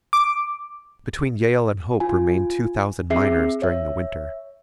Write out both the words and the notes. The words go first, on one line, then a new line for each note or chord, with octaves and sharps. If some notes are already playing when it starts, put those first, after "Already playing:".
Between Yale and Hope remained two thousand miners during the winter.
D6
F4 G#5
C4 G#4 E5 C7
C#5 E5